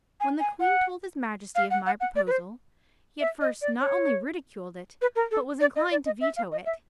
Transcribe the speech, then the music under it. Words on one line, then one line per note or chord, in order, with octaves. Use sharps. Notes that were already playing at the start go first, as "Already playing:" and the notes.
When the Queen told his Majesty of my proposal, he at first not only ridiculed it, but was inclined to veto it.
G#5
G#5
F#5
F5
F#5
F#5
F#5
D5
B4
C5
E5
D#5
D5
C#5
B4
A#4
A4
D5
D#5
D5
D#5
E5
F5
D#5
E5